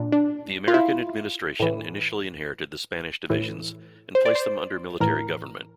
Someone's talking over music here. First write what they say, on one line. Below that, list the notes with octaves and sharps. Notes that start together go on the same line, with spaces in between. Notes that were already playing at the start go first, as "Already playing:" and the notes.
The American administration initially inherited the Spanish divisions and placed them under military government.
Already playing: A#2 D4
D4
F4
E4
A2 E3
A2 E3
C5
D5
C5
A2 E3 A#4